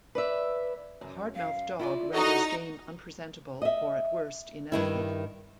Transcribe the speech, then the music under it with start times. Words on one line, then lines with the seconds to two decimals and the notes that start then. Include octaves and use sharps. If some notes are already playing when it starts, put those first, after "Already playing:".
A hard-mouthed dog renders game unpresentable or at worst inedible.
0.15 B4 D5 E5
1.01 F#2
1.35 F5
1.79 E4 F4 D5
2.13 D#4 F#4 A4 D#5 A#5
3.62 D#5 E5
4.72 G2 D#3 E4